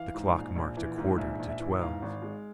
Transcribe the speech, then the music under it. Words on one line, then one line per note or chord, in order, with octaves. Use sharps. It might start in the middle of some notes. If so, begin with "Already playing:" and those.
The clock marked a quarter to twelve.
Already playing: E3 F5
G#2
A#1
A#1
E3
G#2
A#1 E5
A#1
E5
E3
G#2 F5
G#1
G#3